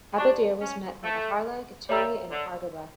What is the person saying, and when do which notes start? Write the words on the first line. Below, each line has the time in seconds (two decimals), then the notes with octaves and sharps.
Abadir was met by the Harla, Gaturi and Argobba.
0.18 D4 G4 D5 A5 C#6
0.61 C#4
1.04 A3
1.89 G3 C#5 E5 A#5 E6
2.31 D3